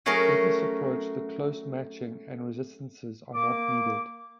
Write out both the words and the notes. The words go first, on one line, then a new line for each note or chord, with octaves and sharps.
With this approach the close matching and resistances are not needed.
F#3 A3 C#4 G#4 A#4
A#3 D6